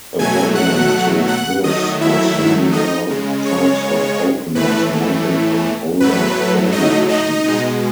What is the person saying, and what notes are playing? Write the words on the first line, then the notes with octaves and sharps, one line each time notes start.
A variant to this are similar types of openers mounted on older vending machines.
B2 F#3 A3 G#5 G#6
F#5 F#6
F#5 F#6
D#3 F#3 A3 D#5 D#6
E4 E5
D#4 D#5
C#3 G#3
C#5
A2 E3 A3 B4
A2 F#3 A3 B4
D#4 D#5
D#4 D#5
B2 G#3